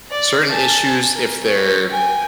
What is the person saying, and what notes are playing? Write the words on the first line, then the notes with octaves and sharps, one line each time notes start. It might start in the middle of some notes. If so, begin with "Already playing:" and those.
certain issues, if they're
D5
G#5 A5
A#4
C#5
G5 G#5